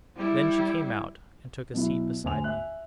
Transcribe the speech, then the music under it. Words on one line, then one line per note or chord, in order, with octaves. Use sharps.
Then she came out, and took a seat beside me.
G3 E4
B2 F#3 E4
D2 G#5 F7
E5 G#5 F#6